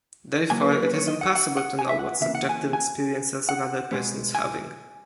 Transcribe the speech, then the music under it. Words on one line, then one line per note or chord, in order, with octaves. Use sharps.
Therefore it is impossible to know what subjective experiences another person is having.
C#3 F#3 A#3 G#5
B4
A#4
B4
C#5
D#5
F#5
F#5
F#5
G#5
E5
F#5
C#3 E3 A#3 E5
F#5
G#5
G#5
F#5
B2 G#3 B3
G#5